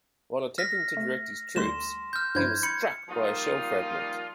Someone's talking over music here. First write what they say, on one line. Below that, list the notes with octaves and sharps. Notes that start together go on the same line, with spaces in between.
While attempting to direct his troops, he was struck by a shell fragment.
F6 A#6 B6
A3
D2 D3 G3 C6 E7
F6 G6
G2 F3 E4 G6 G#6
B5 G#6 C#7
F3 G3 A#3 D#4 F4